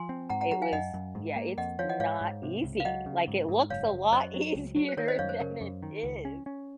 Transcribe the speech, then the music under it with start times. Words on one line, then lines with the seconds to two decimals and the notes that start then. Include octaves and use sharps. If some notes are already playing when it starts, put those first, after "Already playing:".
it was, yeah, it's not easy. Like, it looks a lot easier than it is,
Already playing: F3 G#5 C6
0.09 C4
0.30 G#2 F#5 A#5
0.41 F#5 A#5
0.51 F#3 F#5 A#5
0.62 F5 G#5
0.73 F#2 D#5 F#5
0.94 F#2
1.15 G#2
1.36 A#3
1.57 F2 D#5 F#5
1.79 F3 C#5 F5
1.89 D#5 F#5
2.00 G#2 C#5 F5
2.21 G#2
2.43 C3
2.64 C#2
2.80 F5
2.85 F#3 D#5 F#5
3.06 C#3
3.28 G#2
3.49 G#2
3.70 F#1 C#5 F5
3.92 F#1
4.12 F#2 C5 D#5
4.34 F#3
4.55 C#2
4.76 F#3
4.89 C5
4.97 D#3 A#4 C#5
5.08 C5 D#5
5.19 F#2 C#5 F5
5.29 C5
5.40 C#3 A#4
5.61 F#2
5.83 D#3
6.03 C#2
6.25 C#4
6.46 C#4